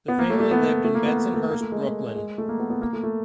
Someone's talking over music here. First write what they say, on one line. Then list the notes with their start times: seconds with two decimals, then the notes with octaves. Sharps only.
The family lived in Bensonhurst, Brooklyn.
0.08 B3
0.19 A#3
0.30 A3
0.40 A3
0.51 B3
0.84 A3
0.95 A#3
1.05 B3
1.16 A#3
1.34 A3
1.50 A#3
1.61 A3
1.72 G#3
2.16 G#3
2.38 A3
2.49 A#3
2.59 B3
2.70 B3
2.81 A#3
2.93 A3
3.03 A3